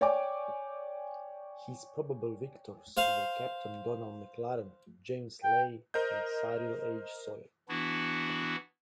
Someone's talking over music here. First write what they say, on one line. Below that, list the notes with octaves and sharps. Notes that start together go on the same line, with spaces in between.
His probable victors were Captain Donald MacLaren, James Leith and Cyril H. Sawyer.
C#5 D5 G5 G#5 D6
C5 F5
G5
A#4 C5 D#5 G6
E3 B3 D4 E4 F#4